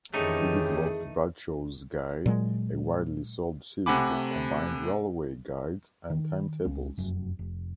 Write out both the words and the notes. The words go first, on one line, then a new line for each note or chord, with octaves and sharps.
He developed Bradshaw's Guide, a widely sold series of combined railway guides and timetables.
F2 D#3 E3 A3 C#4 D#4 G4 G#4
A#2 F#3 G#3
C3 A3 F#5 G#5 B5 D6
D#3
C#2 G#3 C#4
F1 F#2
F1